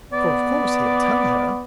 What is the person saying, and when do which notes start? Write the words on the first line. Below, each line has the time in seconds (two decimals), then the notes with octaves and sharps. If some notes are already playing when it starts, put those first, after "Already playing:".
For of course he'll tell her.
0.13 B3 D5